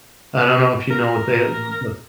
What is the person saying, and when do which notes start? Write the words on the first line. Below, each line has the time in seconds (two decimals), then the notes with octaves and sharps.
I don't know if you know what they, uh, v v
0.90 A#4